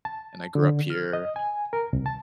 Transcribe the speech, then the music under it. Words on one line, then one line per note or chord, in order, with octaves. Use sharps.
and I grew up here."
A5
D3
F6
D#5
G#5
A#4
C2
A5